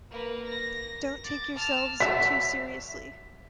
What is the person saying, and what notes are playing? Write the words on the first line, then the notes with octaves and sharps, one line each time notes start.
Don't take yourselves too seriously.
A#3 B4
A#6
D6 A6
A5 F6
F#3 E5 B6